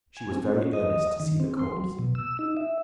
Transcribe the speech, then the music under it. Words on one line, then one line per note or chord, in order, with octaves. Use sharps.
She was very earnest to see the corpse.
G#5
C4
C#4
D#5
D#3
C4
C6
F#3
B2
E6
D#4
E5